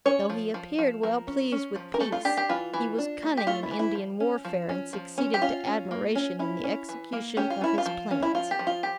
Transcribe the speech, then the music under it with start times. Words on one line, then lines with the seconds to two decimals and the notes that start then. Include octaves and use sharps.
Though he appeared well pleased with peace, he was cunning in Indian warfare, and succeeded to admiration in the execution of his plans.
0.06 C#4 C#5
0.30 F3
0.54 F3
0.79 F3
1.03 F3 A#4
1.27 C#4
1.52 C#4
1.76 F3
1.94 A#4
2.00 A3 A4
2.12 F4
2.25 D4 G4
2.37 G4
2.49 E3 F4
2.73 E3
2.98 D4
3.23 A3
3.37 G4
3.47 A3 F4
3.63 E4
3.71 E3
3.79 E4
3.95 F3
4.20 C#4
4.45 F3
4.69 C#4
4.93 F3
5.18 C#4
5.34 G4
5.42 C#4 F4
5.66 C#4
5.91 A#3
6.15 C#4
6.39 C#4 E4
6.64 C#4
6.89 E3
7.12 A#3
7.37 C#4 G4
7.50 F4
7.61 C#4 E4
7.78 F4
7.86 F3
8.11 C#4
8.22 E4
8.35 F3 F4
8.51 G4
8.59 F3
8.67 F4
8.83 G4